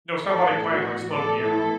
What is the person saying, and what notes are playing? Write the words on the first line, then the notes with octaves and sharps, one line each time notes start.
know, somebody playing, like, slow piano.
A2 E3 B3 A4 D5
F#4
A4 D5
E4 A4